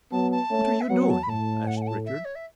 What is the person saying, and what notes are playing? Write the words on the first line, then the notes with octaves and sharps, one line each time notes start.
"What are you doing?" asked Richard.
F#3 B3 A5
A5
A3 C#4
E5
F#3 B3 F#5
A5
B5
A2 A5
F#5
A5
F#5
A5
E5
C#5
E5